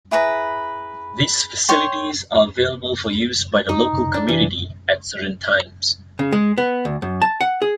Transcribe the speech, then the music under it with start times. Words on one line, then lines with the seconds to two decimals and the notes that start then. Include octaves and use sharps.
These facilities are available for use by the local community at certain times.
0.11 E4 G#4 B4 A#5
1.68 C#5 G5 C6
3.69 D#4
4.14 D4
4.28 E3
6.19 C#3
6.32 G#3
6.58 B3
6.85 D2
7.02 F#2
7.22 A5
7.41 F#5
7.62 G#4